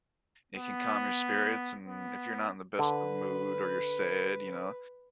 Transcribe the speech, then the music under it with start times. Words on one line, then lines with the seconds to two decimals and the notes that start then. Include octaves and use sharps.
it can calm your spirits, and if you're not in the best of mood or you're sad, you know,
0.57 B3
1.86 B3
2.79 D3 B4